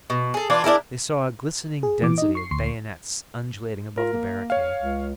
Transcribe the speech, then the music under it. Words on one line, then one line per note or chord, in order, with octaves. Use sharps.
They saw a glistening density of bayonets undulating above the barricade.
B2
G#4 A4
E3 D4 F4
D4 E4 G#4 A#4
G#4
A#2 E3 D6
D#4 D#5
C#6 C7
D2 C6 C#6 C7
F4 A#4
A#3
C#5 F5
C#2